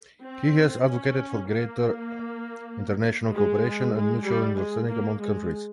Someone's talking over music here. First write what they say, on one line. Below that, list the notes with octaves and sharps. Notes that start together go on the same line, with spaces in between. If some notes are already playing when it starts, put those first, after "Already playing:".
He has advocated for greater international cooperation and mutual understanding among countries.
C4
C#4
A#3
G#3
G#3
G3
G#3
A#3
G#3